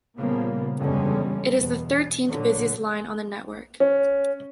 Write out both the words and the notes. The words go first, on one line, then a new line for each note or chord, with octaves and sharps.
It is the thirteenth busiest line on the network.
A#2 C#3 F3 G3 A#3 B3
F#1 E2 D3 G3 G#3 C#4
E2 B2
A#2 D3 F#3
C#4